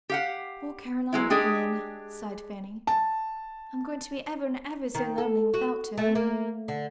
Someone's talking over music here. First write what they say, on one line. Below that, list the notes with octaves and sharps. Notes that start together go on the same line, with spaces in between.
"Poor Caroline Evelyn," sighed Fanny, "I'm going to be ever and ever so lonely without her."
G4 F5 F#5
F#3 G#3 E4
G#3 D4 G4 G#4
A5
D#3
A4
F#4
A3
A#3
D3